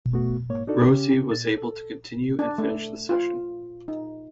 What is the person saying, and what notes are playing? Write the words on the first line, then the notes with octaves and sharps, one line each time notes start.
Rossi was able to continue and finish the session.
A3 B3 F#4
G#2 A#3 C#5
D4 D#4 F#4 A4 D5
C#3 C#4 G4
A#2 A6
A4
D4
A3
F4
D#4